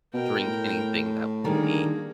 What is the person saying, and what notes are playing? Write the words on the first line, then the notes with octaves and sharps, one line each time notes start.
drink anything that would be
B2 A#4 G5
A2
D3 D#3 G3 A#3 G#4